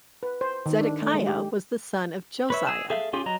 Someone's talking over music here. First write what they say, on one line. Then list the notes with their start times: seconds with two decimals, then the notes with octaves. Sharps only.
Zedekiah was the son of Josiah.
0.23 B4
0.41 C5
0.66 D#3
0.81 D4
1.02 A3
1.14 G#3
1.27 G4
2.50 B4 C#5 E5
2.67 G#4 E6
2.90 G#4 A4 E5 F5
3.13 C#4 F4 G4 G#4
3.26 F#3 D#5 A#5